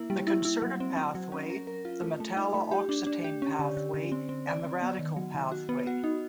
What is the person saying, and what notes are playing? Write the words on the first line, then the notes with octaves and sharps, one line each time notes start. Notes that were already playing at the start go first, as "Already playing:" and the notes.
The concerted pathway, the metalla oxetane pathway and the radical pathway.
Already playing: A#3 E4
G3
E4
E4
F#3
C4
C4
F#3
C#4
A#4
A#4
F4
A3
A3
D#4
A3
G4
D4
D4
G4
C#4
D3
D3
D3
C4
C4
D5
C4
B3
D#3
F#3
D#3
F#4
B3
F#4
D#4